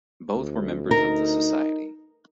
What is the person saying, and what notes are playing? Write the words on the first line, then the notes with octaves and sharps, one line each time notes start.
Both were members of the society.
D2
D#4 A#4